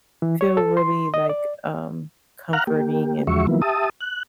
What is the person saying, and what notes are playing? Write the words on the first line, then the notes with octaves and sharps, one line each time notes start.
feel really, like, um, comforting, and
E3
C#5
A4
C6
D#5
D5
F5 F#5 A#5 F6 F#6
A#3 G4
E2 F3 G#3 F#4 E5 C#6
D#3 F3 F#3 A#3 B3 E4
G4 E5 A5 D#6
F#6